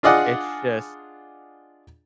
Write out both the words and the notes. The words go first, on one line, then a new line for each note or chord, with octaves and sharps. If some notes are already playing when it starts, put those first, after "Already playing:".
it's just
D4 F4 G#4 D5 D#5 F#5